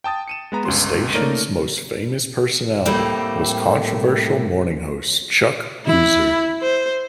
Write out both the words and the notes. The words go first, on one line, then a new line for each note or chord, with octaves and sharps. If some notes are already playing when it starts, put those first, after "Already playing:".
The station's most famous personality was controversial morning host Chuck Boozer.
G5 A5 D#6 A6
C#7 D#7 E7
G#3 B3 A#5
G1 C#2 C#4 C6
A3 A#3 D#4 A#4 C#5 D5
A2 G3 A3 A#3 C4
E4
C5